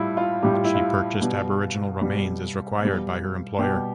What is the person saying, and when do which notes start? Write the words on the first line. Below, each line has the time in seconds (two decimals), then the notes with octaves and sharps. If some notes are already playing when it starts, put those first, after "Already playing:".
She purchased Aboriginal remains as required by her employer.
Already playing: A2 G3 E4 F4
0.17 F4
0.43 A2 G3 G4
0.54 F4
0.64 E4
0.75 F4
1.22 B2 G3
2.02 B2 G3
2.80 B2
2.85 G3
3.59 B2 G3 G4